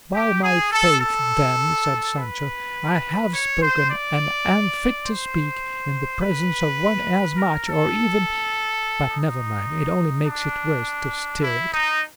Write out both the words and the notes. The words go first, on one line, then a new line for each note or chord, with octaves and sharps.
"By my faith then," said Sancho, "I have spoken, and am fit to speak, in the presence of one as much, or even--but never mind--it only makes it worse to stir it."
G4
G#4
A4
A4
B4
C#5
C5
D5
C5
B4
A#4
A4
D#4
D4
E4
D#4